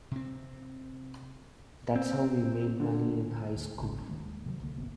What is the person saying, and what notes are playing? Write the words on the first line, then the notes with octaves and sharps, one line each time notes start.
That's how we made money in high school.
C3 C4
C4
D3
D2
G#1 C#3
D#2 D#3 G#3 A#3
C3 D#3 F#3
C2 D3 F3 A#3
D1 G1 C3 B3